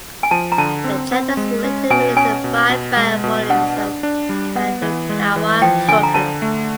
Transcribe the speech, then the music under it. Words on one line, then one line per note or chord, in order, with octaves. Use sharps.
The chapters were later released in five bound volumes by Kadokawa Shoten.
G#5
F3 A5
A#5
D3 A5
C4
C4
G#3
C#4
B2 G#5
C#4 G#5
B2
B2
G#3
B2
D4 F#5
D4
D4
G3
B3 F#5
E3
G#3
E3
F3 G5
D3 G#5
A#5
D3 A5
A3